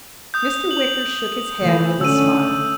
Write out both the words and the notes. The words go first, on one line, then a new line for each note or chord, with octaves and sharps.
Mr. Wicker shook his head with a smile.
D#6 G6
F#7
E3 A3
D3 A3 C#4 E6 D#7